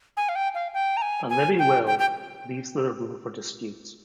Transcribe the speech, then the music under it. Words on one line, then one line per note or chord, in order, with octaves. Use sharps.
A living will, leaves little room for dispute.
G#5
F5
G5
F5
G5
A#5
G#5
G#5
G5
G5
G5